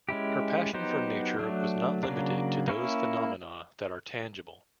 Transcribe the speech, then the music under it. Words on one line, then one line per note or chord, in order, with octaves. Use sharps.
Her passion for nature was not limited to those phenomena that are tangible.
G#3 C#4 E4 G4
F#3 B3 D#4 G4 C5
F#3 A3 D4
C#3 F#3 A#3 D4
A#3 C#4 E4